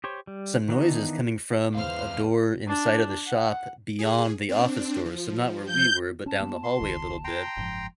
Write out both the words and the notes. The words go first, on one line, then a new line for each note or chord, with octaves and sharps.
some noises coming from a door inside of the shop beyond the office doors, so not where we were, but down the hallway a little bit,
G4 C5 C#5
G3
D#3 E3 B3 D4 D#4
E2 G#2 C5 F5 F6
D4
F#5
G#4
C4 D4
F3
G6
C#4 A5
A#3 B3
C6
E1 C#2 D#3
G5 A#5 C6
F#1 G#2 F3